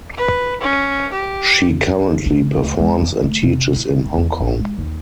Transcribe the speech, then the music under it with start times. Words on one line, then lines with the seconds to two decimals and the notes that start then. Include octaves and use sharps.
She currently performs and teaches in Hong Kong.
0.18 B4
0.61 C#4
1.13 G4
2.26 D4
2.56 D2
2.79 G#3
3.02 E3
3.24 A3
3.43 C3
3.76 E4
4.05 C#2
4.17 E2
4.40 A1
4.60 G#3
4.78 D#2